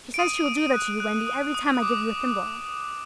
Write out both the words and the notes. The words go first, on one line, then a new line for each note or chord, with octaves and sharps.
"She says she will do that to you, Wendy, every time I give you a thimble."
D7
D#6 D#7
D#6
F#6
F#6
D#6
D#6
D6